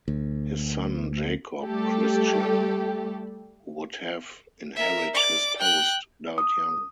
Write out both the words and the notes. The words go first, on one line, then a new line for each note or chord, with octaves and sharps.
His son Jakob Christian, who would have inherited his post, died young.
D2
G3 A3 G4 A4
A#4 E5
D5 D6
G5 F#6
D#6